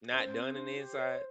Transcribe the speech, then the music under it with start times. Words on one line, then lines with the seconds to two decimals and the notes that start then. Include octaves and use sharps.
not done in the inside
0.13 C#4 C5
0.35 C4
0.56 D4
0.77 G4
0.98 C#5